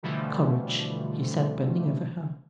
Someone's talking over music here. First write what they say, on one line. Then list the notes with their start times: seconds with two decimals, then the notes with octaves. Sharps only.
"Courage!" he said, bending over her.
0.03 B2 D3 E3 F3 G3 A3